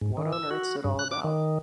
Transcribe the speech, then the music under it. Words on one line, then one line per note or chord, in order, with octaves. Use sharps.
What on earth's it all about?
G#2
D#3
E6
F#4
G2
F#6
D6
D#3